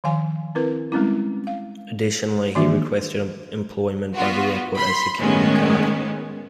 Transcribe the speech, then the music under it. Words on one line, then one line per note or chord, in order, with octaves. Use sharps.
Additionally, he requested employment by the airport as a security guard.
D#3 F3 F5 G#5
C4 E4 A#4 B4
G3 G#3 C4 C#4 E4
F5
D#3 E3 A#3 D4 F#4 E5
B3 F4 F#4
B5 C6
A2 D#3 G#3 B3 C#4